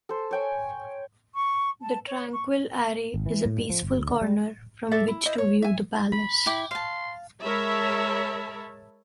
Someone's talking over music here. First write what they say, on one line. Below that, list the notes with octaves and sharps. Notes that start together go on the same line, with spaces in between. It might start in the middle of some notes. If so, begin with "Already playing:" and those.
The tranquil array is a peaceful corner from which to view the palace.
A4 C5
C#5 G5 G#5
C#6
A5
C#5
C#6
G#1
E3
A2
G2
F3
G1
D2
D3
G3
A4 D5 E5
E4
E4 C5 D#5
C#5
E5 G#5
B5
E4 G5 D6
F5 A5 C6
G#3 A#4 C#5 E5 A5 B5